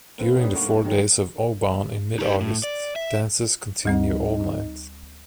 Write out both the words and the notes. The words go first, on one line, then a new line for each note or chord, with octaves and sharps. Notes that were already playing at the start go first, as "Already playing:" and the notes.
During the four days of Obon in mid-August, dances continue all night.
A#3 C4 A4 B4 F5
B3 D4 D#4 G4 C#5
B1 G2 A3 A#3 F#5 C#6
D#3 G#3 D#4 F#4 G#4 C#5
D#4 G4
A2
D5
E5
D2 G3 C4 D#4